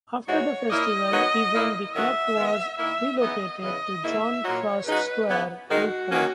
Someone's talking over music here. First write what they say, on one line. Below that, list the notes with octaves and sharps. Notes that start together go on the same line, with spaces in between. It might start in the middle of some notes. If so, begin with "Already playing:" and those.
After the festival event the clock was relocated to John Frost Square, Newport.
G#2 E3 G#3 D#4 F#4 C#5
A#2 A#3 E4 D#5
D#3 F#3 B3 D#4 F#4
A#2 A#3 E4
D#3 F#3 C#4 F#4 E5
D#3 G#3 B3
D#3 A#3 E4 E5
C#3 E3 B3 D#4 D#5
E2 C#3 E3 B3 D#5
G#2 D#3 A#3 E4 E5
A#2 F#3 A#3 D#4 F#4 C#5
C#3 G#3 D#4 F#4 B4
C#3 E3 B3
G#2 D#3 G#3 D#4 F#4
D#3 F#3 A#3 C#4